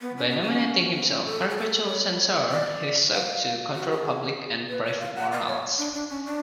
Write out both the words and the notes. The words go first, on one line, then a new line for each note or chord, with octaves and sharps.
By nominating himself perpetual censor, he sought to control public and private morals.
B3
C#4
B3
C#4
B3
C#4
A4
G#4
A4
C#5
D5
F5
F#4
G#4
B4
C#5
F5
F#5
F5
C#5
D4
D4
C#4
D4